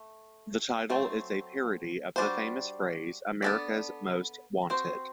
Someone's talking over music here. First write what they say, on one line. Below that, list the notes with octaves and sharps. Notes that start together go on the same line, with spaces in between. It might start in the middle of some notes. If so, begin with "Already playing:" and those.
The title is a parody of the famous phrase "America's Most Wanted".
Already playing: A3
F#3 A3 C4
G3 D4 F#4 C5
B3 D4 A4 D5
C4 F#4 C5